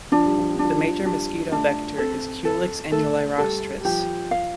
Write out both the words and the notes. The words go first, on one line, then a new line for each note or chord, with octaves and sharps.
The major mosquito vector is "Culex annulirostris".
F3 D4
G3
F3
G3
D4
F3
G3 D4
A3 D4
C4 A4
A4
A3 A4
G3 A4
G3
F3 G4
F5